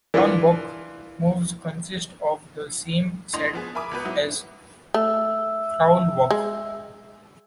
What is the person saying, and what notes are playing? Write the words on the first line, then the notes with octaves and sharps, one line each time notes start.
Crown Walk moves consist of the same set as Clown Walk.
E3 D4 F4 B4
G#1 A2 D4 D#5 C6 F7
F3 B3 G#4
A#4 E5 G#5 B5 D6 D#6
C#2 B3 F#4 B4
G#2 F#3 E4 F#4 B4 D#6
A3 E5 E6
G#3